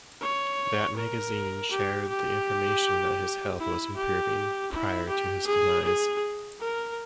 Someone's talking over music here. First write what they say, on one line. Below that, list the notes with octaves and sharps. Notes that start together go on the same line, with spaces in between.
That magazine shared the information that his health was improving prior to his demise.
C#5
A#4
G4
G4
E4
G4
E4
G4
G#4
G#4
A#4